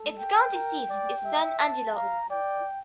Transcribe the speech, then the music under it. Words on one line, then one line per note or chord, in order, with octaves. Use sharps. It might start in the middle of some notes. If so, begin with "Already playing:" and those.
Its county seat is San Angelo.
Already playing: A4
G5
A#4
D5
E5
A5
F5 A#5
D5 G5